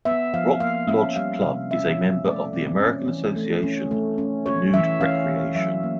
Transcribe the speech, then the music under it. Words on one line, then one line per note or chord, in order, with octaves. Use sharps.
Rock Lodge Club is a member of the American Association for Nude Recreation.
B3 E5
F3 F5
A#3 F5
C#4 E5
G3 F5
C3
C#4 E5
F3
A3 D5
C4
C#4
E3
A3
C#4
A3
C#4
C#4 C#5
E3 E5
C#4 F5
E3
F#3 E5
A#3